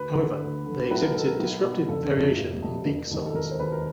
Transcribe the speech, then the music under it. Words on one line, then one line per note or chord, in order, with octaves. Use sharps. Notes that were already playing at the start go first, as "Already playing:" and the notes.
However, they exhibited disruptive variation in beak size.
Already playing: D2 B4
D3
D2
D3
B1 B4
A#4
B2 A4
A#4
B1
B2
F1 A4
F2 C3
F1
F2 C3
E1
D#2 D#3
A4
E1 A#4
C5
D#2 D#3 B4
A#4